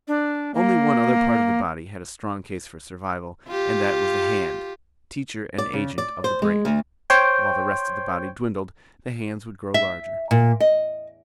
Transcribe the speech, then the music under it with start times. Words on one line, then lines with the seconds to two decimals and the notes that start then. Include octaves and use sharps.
Only one other part of the body had a strong case for survival, and that was the hand, "teacher and agent of the brain." While the rest of the body dwindled, the hands would grow larger.
0.07 D4
0.54 A#3
3.48 F4 G4
5.58 D5
5.73 C#3
5.98 D5
6.24 C5
6.42 G#3
6.65 D2
7.10 C5 C#5 G5
9.74 E5
10.31 A#2
10.60 D#5